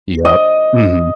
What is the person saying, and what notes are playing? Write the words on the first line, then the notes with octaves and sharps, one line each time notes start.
Yup. Mhm.
D#5